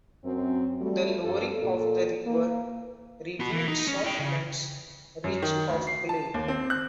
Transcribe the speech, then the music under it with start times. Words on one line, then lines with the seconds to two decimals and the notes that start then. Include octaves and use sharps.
The lowering of the river revealed soft lands rich of clay.
0.25 F#2 C4
0.80 G3 A3 F#4
1.23 G2 A4
1.60 A#2 A4
2.25 A#3
3.40 B3 F#4
3.52 E3
3.68 D#4
3.88 C#4
4.04 E4 G5
4.19 C#3
5.24 F#2
5.42 D#3
5.69 D2
5.87 C7
6.09 A5
6.34 D#2
6.48 C4
6.70 F#6